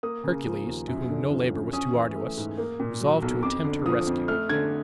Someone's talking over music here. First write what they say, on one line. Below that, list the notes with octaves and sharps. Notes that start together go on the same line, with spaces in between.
Hercules, to whom no labor was too arduous, resolved to attempt her rescue.
A#3 D#6
C#3
F3
D#2
F#2
D3
F3
F#2
C#4 D#6
E3
A3
G#2
A#3
A#2
F#3
B1
F2 D6
D3
F3 D#6
F2
A3 F6
D3 G#6